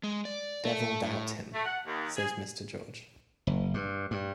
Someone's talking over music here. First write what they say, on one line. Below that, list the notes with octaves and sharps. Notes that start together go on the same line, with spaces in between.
"Devil doubt him," says Mr. George.
G#3
D5
A3
A2
A3
F#5
D#2
G#4
F#1
G2
G2